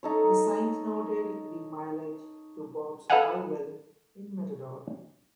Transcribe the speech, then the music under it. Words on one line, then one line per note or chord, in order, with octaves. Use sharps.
The signs noted the mileage to Bob's Oil Well in Matador.
D#4 A4 C#5
A4 B4 D#5 F5 F#5 G#5